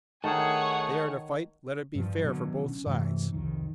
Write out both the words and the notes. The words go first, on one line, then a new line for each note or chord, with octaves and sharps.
If they are to fight, let it be fair for both sides.
D#3 A3 G#4 C#5 F#5 G#5 A5
G2 F3
B2 D3 D#3 F#3
C#4
G2 C3 E3 A3
C2 F2 D#3